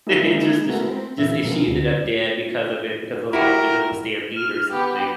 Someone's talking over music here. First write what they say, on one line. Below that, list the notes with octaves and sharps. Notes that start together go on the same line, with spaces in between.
and just just just and she ended up dead because of it, because of those elephants. It was a stampede or something.
G#3 A#3 D#4 E4
G#3 A3 B3 E4 F#4 A#4
C4
A#2 E3 E5
B2 F3 G#3 A#3
D2
E4 F#4 G4 A#4
F6
B3 G4